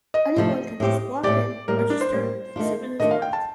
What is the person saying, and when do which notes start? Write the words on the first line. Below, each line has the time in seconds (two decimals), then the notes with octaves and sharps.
Anyone can just walk-in, register, and exhibit his work.
0.14 D#5
0.36 C3 F3 A3
0.80 A2 A3 C4 G4
1.23 A2 A3 C4 G4 D5
1.68 A2 G3 A#3 A#4
1.79 A#4
1.90 D4
2.01 C5
2.11 A2 G3 A#3
2.56 D#3 A3 D4 F4
3.00 D#3 A3 D4 F4 D#5
3.11 F5
3.22 G5
3.33 A5